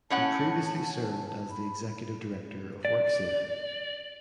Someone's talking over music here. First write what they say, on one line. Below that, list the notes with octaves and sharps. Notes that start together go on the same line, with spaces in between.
He previously served as the executive director of Worksafe.
A2 C#4 F#5 A5
B5
D5